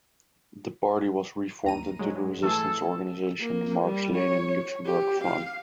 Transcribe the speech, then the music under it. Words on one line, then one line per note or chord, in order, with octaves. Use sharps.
The party was reformed into the resistance organization Marx-Lenin-Luxemburg Front.
D#2 A#5 D#7
G#2 F#3 G#3
E3 A3 G#4 A4
A#3
G3
C#5
G4
F5